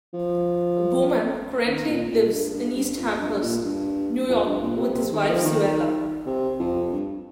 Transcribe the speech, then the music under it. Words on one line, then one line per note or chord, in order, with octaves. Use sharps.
Bowman currently lives in East Amherst, New York with his wife Suella.
F3
D#3
A#2
A#2
G2
G2
G2
F2
G2
G2
A#2
G2
F2
G2
A#2
C3
C3
D#3
F3
D#3
C3
F2
G2